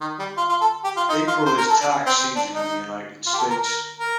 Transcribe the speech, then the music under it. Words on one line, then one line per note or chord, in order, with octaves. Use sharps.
April is tax season in the United States.
D#3
G3
F4
F4
A4
G4
F4
D#4
F4
C5
A#4
A4
D4
C4
C4
D4
D#4
F4
G4
A4
A#4
A#4
A#4